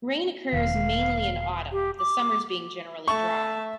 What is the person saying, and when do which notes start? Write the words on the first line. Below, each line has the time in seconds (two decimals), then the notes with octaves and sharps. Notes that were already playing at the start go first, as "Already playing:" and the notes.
Rain occurs mainly in autumn, the summers being generally dry.
0.53 E1 D#3 F5
1.72 G4
1.98 D6
3.08 A3 E5 A5 C#6